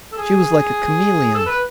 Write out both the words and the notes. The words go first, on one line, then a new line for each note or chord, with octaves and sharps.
She was like a chameleon.
A4
G#4
A4
B4